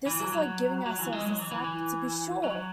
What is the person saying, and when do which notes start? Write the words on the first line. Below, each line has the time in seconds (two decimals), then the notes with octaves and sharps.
This is like giving ourselves a slap, to be sure!
0.06 E3
0.20 F#3
0.33 F#3
0.86 F#3
0.99 E3
1.13 G#3
1.25 F#3
1.38 E3
1.51 E3
1.64 E3
2.44 F#3